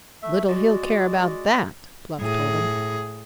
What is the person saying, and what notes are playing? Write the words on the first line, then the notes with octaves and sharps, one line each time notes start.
"Little he'll care about that," Bluff told him.
A3 E5
G#3 F#4 D5
A2 G#4